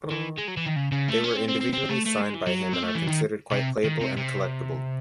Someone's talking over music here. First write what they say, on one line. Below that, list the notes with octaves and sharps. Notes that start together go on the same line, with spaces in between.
They were individually signed by him and are considered quite playable and collectable.
E3
G#3
F#3
E3
D#3
C#3
C#3
A3
C#4
C4
C4
C4
C4
A3
A3
G#3
E3
F#3
C4
A3
E3
D#3
C3
D#3
C3
C3